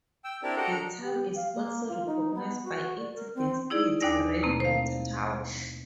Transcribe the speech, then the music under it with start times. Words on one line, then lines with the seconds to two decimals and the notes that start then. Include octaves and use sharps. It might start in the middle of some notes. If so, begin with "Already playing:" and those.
The town is also recognized by its distinct, red water tower.
0.24 G5 E6
0.43 C4 D4 E4 G4 A#4 D5
0.57 F#4 G4 A4 A#4 D#5 F#5
0.70 D4 A#5
1.03 G4
1.35 F5
1.54 A#3
1.89 F4
2.06 D#4
2.35 B3
2.64 F#4
2.99 D5
3.16 A#4
3.35 C4
3.70 D#4 E4 G#4 D5
4.01 D#2 D4 D#4 D5 G#5 A#6
4.43 B2 A3 A#3 C4
4.60 C5 F5